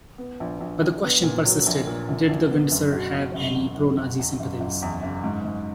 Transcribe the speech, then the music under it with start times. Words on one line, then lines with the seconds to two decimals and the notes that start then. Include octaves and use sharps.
But the question persisted: did the Windsors have any pro-Nazi sympathies?
0.18 B3
0.40 A#1
0.60 A#1
0.81 A#1
1.03 B3
1.24 A#2
1.44 F#3
1.67 A#1
1.87 A#2
2.08 A#1
2.29 A#1
2.51 B3
2.72 F#1
2.92 B2
3.14 B2
3.34 F#1
3.56 E2
3.76 F#1
3.97 F#1
4.19 E2
4.40 F#1
4.60 F#1
4.82 E2
5.03 F#1
5.24 G#2
5.45 G#2